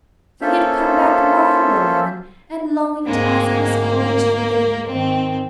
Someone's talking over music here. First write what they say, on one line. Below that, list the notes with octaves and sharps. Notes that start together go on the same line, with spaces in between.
So he had come back a more humble man, and longing to ask Miss Coleman to forgive him.
A#3 C#4 F4 A4 C5 E5
D2 G#2 G#3 A#3 C4
A#4
G#2 D#3 C4